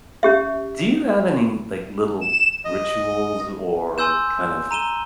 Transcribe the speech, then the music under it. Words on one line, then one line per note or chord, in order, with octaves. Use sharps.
Do you have any, like, little rituals or, kind of,
C#4 G4 E5
E7
D#5
G#5 C6 E6 G6 E7
A#5 D#7 E7 G7